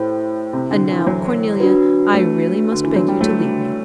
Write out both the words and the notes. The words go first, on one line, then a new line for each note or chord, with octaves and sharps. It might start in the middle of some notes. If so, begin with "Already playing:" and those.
"And now, Cornelia, I really must beg you to leave me."
Already playing: A2 E4 G4 C5 G5
C3
D3
E3
E3
F#3
D4 F#4 B4
A3
D3
E3
F#3
G3
A3